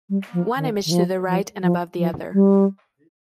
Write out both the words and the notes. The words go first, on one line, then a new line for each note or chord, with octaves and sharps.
One image to the right and above the other.
G3
F3
D#3
D#3
F3
F3
F3
F3
G3